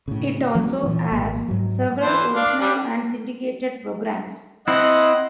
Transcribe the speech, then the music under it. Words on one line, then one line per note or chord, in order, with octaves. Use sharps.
It also airs several original and syndicated programs.
A2 C#3
F3 F#3 G#3 C#4
A#2 E3 F3
G#1 F3 A#3
G#2 F#3
E3 C5
D4 F5
G3 D4
C4 E4 D#5 F#5